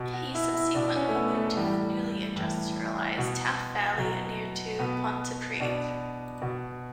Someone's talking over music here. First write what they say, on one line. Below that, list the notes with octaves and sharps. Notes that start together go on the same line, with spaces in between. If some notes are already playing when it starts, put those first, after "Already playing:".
He subsequently moved to the newly industrialised Taff Valley near to Pontypridd.
Already playing: B2
F#4
E4
E4
B2 D4
C#4
A3
B3
A3
A3
A2 E3 G3
A2 E3
B2
B2 F#3
B2 B3
B2 D4
B2